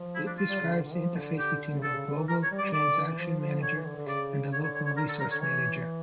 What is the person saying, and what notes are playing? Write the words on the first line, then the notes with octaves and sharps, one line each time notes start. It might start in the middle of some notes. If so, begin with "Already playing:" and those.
It describes the interface between the global transaction manager and the local resource manager.
Already playing: F3
E4
D4
F4
G3
C#3
D3
D3
F3
D3
G4
C#3
D3 A4
C#3
D3
E3
E3 A#4
C#5
G3
D5
G3
D3 D5
E3
F3
F3
D3 C#5
E3
D3
D3
C#3 D5
D3 C#5
C#5
C#5
C#5
A#4
A4
A#4
C#5
D3
E3 C#5